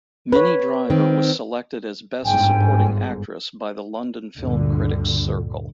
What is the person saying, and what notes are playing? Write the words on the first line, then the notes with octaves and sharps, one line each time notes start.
Minnie Driver was selected as best supporting actress by the London Film Critics Circle.
B4 C#5
D#3 C4
G1 G#2 G5 G#5
D2 G2 A#2 D3